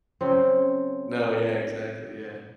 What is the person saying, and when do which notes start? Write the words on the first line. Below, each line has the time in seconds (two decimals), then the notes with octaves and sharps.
No, yeah, exactly, yeah.
0.21 C#3 F#3 C4